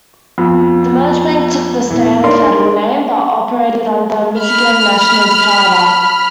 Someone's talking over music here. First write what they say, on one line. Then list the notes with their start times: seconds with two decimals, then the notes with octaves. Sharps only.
The merged bank took the Standard Federal name, but operated under Michigan National's charter.
0.38 F2 B3 F4
1.90 E2 A#2 E3 B3
2.24 D4 D#4 A#4 C#5 D5 C6
4.40 B5 F6